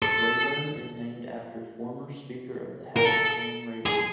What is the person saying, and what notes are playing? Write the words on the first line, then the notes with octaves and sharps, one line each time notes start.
Rayburn is named after former Speaker of the House Sam Rayburn.
A4
A#4
A4
G#4